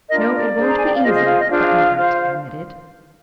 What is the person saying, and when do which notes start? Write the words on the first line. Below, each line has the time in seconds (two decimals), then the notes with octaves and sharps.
"No; it won't be easy," Button-Bright admitted.
0.10 D4 F4 A#4 D#5
0.17 D5
0.35 D5
0.56 D4 G#4 C5
0.68 A#5
0.76 G#5
0.85 G5
0.94 F5
1.03 F4 G#4 C5 D#5
1.14 D#5
1.26 F4 F5
1.38 D#5
1.50 D4 F4 G#4 C5 F5
1.96 F4 C5